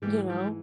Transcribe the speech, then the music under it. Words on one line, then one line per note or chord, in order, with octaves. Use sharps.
you know?
G#2 E3 G3 G#3
G3